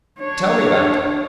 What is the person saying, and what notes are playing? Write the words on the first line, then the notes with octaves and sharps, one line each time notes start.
"Tell me about it."
D4 C#5